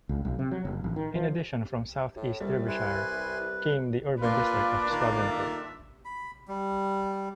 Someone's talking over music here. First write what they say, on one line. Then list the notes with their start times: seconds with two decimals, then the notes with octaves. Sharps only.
In addition from South East Derbyshire came the Urban District of Swadlincote.
0.09 C#2
0.25 B1
0.39 C3
0.51 F#3
0.65 F#1
0.84 A1
0.96 D#3
1.15 F3
2.16 A2
2.40 C2 G3
2.68 E4 B4 G#5 C6
4.21 A#2 D4 F4 B4
4.91 D#3 A3 A#3 F4
5.27 E5
6.05 B5
6.48 G3